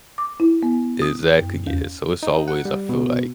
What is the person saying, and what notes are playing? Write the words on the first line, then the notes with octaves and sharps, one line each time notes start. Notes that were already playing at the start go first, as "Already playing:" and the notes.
Exactly, yeah. So, as always I feel like
D6
E4
B3
D#6
F#2
E2
D#4
F#5
G3
B2